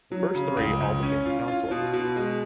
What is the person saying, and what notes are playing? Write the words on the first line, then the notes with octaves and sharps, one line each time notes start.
The first three all became councilors.
F#3
C#3
C#2
C#2
C#4
F4
F4
B2
B2
G#3